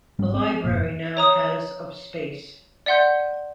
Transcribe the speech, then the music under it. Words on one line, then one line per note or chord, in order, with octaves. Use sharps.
The library now has of space.
G#1 G3 C#4
C4
F1 F#2 A#2
C#5 A#5 D#6
D5 E5 F#5 C6 G6